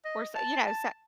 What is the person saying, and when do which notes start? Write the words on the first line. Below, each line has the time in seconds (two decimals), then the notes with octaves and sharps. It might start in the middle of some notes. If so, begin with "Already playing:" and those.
or so you know, s
0.05 D#5
0.35 A5
0.67 A5